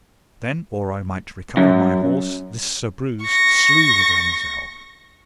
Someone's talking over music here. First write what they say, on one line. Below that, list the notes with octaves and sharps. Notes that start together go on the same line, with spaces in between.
And then or I might recover my horse this Sir Breuse slew the damosel.
F#2
C#6 A#6